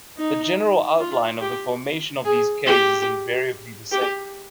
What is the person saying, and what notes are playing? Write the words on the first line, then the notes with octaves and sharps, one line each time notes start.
The general outline of the formation of these caves is invariably the same.
D#4
F4
G4
G#4
G4
G4